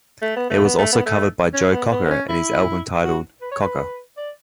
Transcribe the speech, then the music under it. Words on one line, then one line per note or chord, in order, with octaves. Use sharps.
It was also covered by Joe Cocker on his album titled "Cocker".
A3
B3
A3
B3
A3
B3
A3
C#4
B3
B3
B3
C#4
E4
F#4
B4
C#5
B4
D5